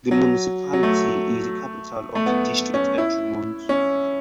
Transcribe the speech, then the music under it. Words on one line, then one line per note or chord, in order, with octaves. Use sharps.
The municipality is the capital of the district of Entremont.
F#3
F#3
A3
A3
B3
C#4
E4
C#4